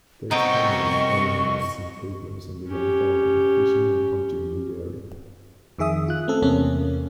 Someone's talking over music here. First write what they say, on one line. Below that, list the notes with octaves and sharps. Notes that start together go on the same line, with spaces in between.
They expanded Paulhamus' improvements and began farming, fishing and hunting in the area.
C2 B3 C4 D#4 D#5 G5 C#6
C#4 G4
F2 D#3 G#4 E5 D#6
F4 F#6
A3 C4 C#4 A4
E2 C3 A#3 C#4